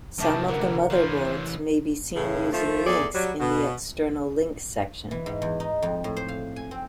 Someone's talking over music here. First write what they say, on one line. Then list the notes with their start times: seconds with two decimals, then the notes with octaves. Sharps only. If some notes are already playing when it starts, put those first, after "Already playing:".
Some of the motherboards may be seen using links in the external links section.
0.18 F#2 C3 D#3 G4 D#5 E5 A5 D6
0.48 D3 E3 A#3 F#5
0.90 E3 C#4 C5 F5
2.16 A2 C#3
2.52 F3 A3
2.86 E2 G#4 A4 D5
3.15 F#3 G3
3.40 B2
5.11 E3
5.26 G#2
5.42 E2
5.60 D#4
5.82 F2
6.04 A2
6.17 C5
6.28 F5
6.56 G#5
6.71 C4